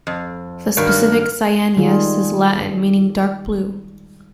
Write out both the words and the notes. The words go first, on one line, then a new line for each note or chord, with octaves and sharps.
The specific "cyaneus" is Latin, meaning "dark-blue".
F2
G2 D#3 F#3 A#4
D#3 G3 G#3 F4 G#4